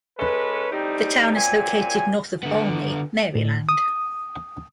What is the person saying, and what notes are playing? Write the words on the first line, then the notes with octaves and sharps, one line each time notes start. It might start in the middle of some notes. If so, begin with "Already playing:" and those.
The town is located north of Olney, Maryland.
G#3 C#4 A4 B4
A2 G3 C4 D#4
F#2 A#2 C4 G#5
D3 B3
A2
D#6